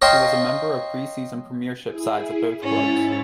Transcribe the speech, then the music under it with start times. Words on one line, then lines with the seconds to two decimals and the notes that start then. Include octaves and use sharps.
He was a member of preseason premiership sides at both clubs.
0.02 C#5 D#5 F5 G5 A5 C6
1.86 E4 G#4
2.62 G#2 C#4 E4 C#5 A6